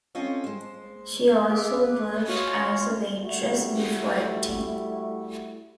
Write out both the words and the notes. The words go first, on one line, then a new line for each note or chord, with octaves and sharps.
She also worked as a waitress before acting.
C4 C#4 F4 A4 C#5 D#5
G#3 C5
G#4 E5 F5 D6
B4
F4 F#4 C#5
G3 A3 E4 F#4